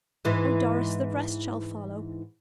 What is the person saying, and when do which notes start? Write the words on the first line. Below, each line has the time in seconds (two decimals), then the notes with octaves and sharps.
Oh, Doris, the rest shall follow.
0.25 G#2 E3